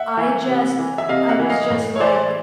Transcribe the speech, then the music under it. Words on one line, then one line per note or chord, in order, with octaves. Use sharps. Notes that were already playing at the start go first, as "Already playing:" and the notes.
I just I was just, like, eh,
Already playing: E5 F#5
E3
C3
E3
E5
C3 D#5 F5
E5 F#5
E3
D#5 F5
A2
C#5
E3 C5 D5